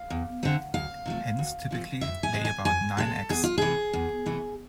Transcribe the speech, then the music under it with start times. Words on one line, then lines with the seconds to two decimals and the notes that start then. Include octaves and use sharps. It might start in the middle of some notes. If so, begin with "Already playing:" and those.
Hens typically lay about nine eggs.
Already playing: F5
0.10 E2
0.43 D3 A3 C4
0.74 D2 F5
1.06 C3 F3 A3
1.39 D2
1.71 C3 F3 A3
2.01 F2 E5
2.23 G#5
2.33 C3 G#3
2.45 G#5
2.65 F2 G#5
2.97 C3 G#3 A4
3.29 E2 G#4
3.44 F4
3.58 C3 E3 A3 G#4
3.93 E2
4.26 C3 E3 A3